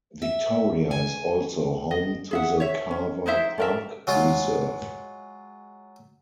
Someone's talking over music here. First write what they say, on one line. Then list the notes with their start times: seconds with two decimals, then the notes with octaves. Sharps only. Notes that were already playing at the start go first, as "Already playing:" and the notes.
Victoria is also home to the Carver Park Reserve.
0.22 E5
0.91 G#5
1.91 D#5
2.31 G#4 E5 F#5
2.60 C#5 E5
2.91 C#4
3.26 D#4 E4 C5 E5
3.58 A4 A#4 E5
4.07 F#3 G#3 F4